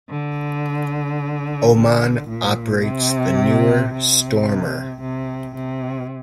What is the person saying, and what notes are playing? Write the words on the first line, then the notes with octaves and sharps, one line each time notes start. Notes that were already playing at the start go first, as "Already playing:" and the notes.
Oman operates the newer Stormer.
D3
D3
A#2
C3
C3
C3
C3